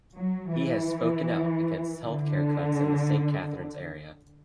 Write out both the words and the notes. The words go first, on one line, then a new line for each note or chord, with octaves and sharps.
He has spoken out against health-care cuts in the Saint Catharines area.
F#3
E3
D3